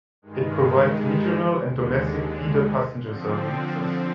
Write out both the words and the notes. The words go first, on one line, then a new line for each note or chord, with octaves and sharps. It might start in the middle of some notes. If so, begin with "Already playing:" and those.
It provides regional and domestic feeder passenger services.
G2 D#3 G#3
D#2 D3 G#3
D3 F3 C4